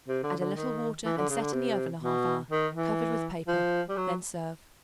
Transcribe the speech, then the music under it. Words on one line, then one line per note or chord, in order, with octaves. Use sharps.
Add a little water and set in the oven a half hour, covered with paper; then serve.
C3
D3
D3
D#3
E3
D3
C#3
D3
C3
B2
D#3
E3
F3
G3
F#3